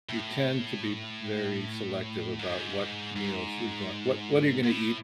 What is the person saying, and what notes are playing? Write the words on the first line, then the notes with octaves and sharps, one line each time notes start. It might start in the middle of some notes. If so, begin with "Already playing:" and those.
you tend to be very selective about what meals you're goin what what you're gonna eat
A2
G#2
G#2
G#2
A2